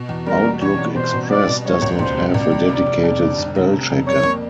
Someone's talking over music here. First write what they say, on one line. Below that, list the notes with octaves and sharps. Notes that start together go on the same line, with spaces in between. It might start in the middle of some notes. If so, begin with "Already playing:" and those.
Outlook Express does not have a dedicated spell checker.
Already playing: B2
E2
G3 A#4
G3
E2 C#5
E2
B2 C5
B2
G3 D5
B2
G3 C#5
C#2
C#2 C5
G3
C#2 D5
G3
F1
F1
F2
D3
F1
F1
F1
F2
G3 C#5
A#3